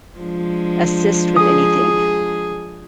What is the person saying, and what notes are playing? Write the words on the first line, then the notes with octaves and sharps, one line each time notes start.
assist with anything?
F3 G#3 D4
G#4 D#6